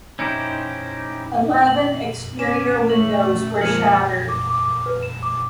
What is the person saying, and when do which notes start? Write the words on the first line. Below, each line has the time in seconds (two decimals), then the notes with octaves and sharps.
Eleven exterior windows were shattered.
0.19 C#4 D#4 E4 G4 C5
1.67 F#7
2.39 C#4 G#5 D6 B6 E7
2.90 A3 F#7
3.61 F3 G#3 A#3 G#5 F6 C#7 F#7
4.29 D6
4.50 D6
4.86 B4
5.03 E7
5.23 D6